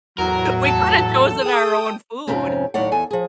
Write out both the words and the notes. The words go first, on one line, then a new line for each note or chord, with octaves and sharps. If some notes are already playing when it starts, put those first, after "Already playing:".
We coulda chosen our own food,
E2 A2 F#3 A#4
A4
G#4 G5 D#6
F2 G#2 C3 F3 C4 C#4
D#2 A2 F#3 C#5 D5 F#5
E2 A4 G#5
F3 G#4